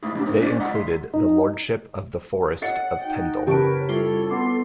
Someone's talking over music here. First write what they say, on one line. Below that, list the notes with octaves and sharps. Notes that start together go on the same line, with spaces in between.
They included the Lordship of the Forest of Pendle.
G#3 A3 B3 E4 G#4
D3 G#3 B3 C#4 D4 G4
C4 D#4 A#4 C5
C#4 D4 G4 B4 C5 D5
G#3 E4 D#5 F#5 G#5 A#5
E5 C6
D#4
C#5 D#5 F#5 A6 C#7
D#4 F#4 G5
F#1 G4 A#4 B4 C#5 A5 C#6 D7
G3 E4 F4 A4 C#5 G7
B3 C6 D6 C7